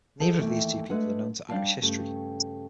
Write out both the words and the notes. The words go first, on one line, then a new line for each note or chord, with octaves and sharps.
Neither of these two people are known to Irish history.
G#4 A4 C5 D#5 F#5 A5
D#2 E3 A3 E5 G5
G#3 A3 D4 B4 F#5
G3 D4 D5 F5 G5 A5
G2 C#3 A3 G4 A4